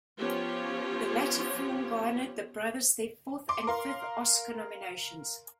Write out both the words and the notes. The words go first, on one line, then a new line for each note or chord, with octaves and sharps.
The latter film garnered the brothers their fourth and fifth Oscar nominations.
F3 B3 C#4 F4 G4 C#5
C6 D6
A#4 F5 C6